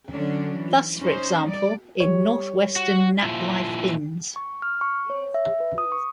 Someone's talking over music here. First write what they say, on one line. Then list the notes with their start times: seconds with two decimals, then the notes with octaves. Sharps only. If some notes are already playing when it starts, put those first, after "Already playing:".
Thus, for example, in Northwestern Nat Life Ins.
0.10 D3 F#3 C#4 D4
0.57 E3
0.99 C#4 D#4 C5
1.46 G3 D5
2.00 G3 C#5
2.76 F#4
3.23 A#2 F3 E4
4.36 C#6
4.62 F6
4.81 C#6
5.10 C#5
5.34 E5
5.60 B4
5.78 D#6
5.92 C#6